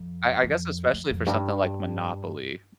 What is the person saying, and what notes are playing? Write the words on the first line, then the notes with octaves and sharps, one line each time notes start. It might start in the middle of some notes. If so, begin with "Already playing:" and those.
I I guess especially for something like Monopoly,
Already playing: F2
F2
F2
F2
G2